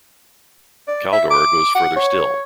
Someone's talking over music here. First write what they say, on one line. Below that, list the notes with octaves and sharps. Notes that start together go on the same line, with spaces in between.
Kaldor goes further still.
D5
E5
D6
F#5
C#5